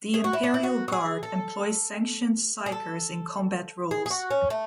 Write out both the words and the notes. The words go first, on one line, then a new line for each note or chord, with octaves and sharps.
The Imperial Guard employs sanctioned psykers in combat roles.
G#4
F#4
E4
D4
E4
F#4
F#4
G#4
A4
G#4
A4
G#4
G#4
F#4
C#4
A3